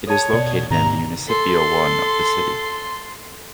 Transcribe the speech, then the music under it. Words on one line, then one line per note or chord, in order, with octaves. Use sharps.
It is located in Municipio One of the city.
A4 C#5 A5
B2 D5
G#2 C3 D#3 A#5
A4 C6